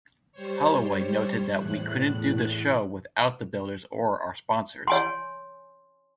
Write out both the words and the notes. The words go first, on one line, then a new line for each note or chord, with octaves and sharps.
Holloway noted that we couldn't do the show without the builders or our sponsors.
G3 C5 C#5
E2 A2 F#6
C#5 G#5 C6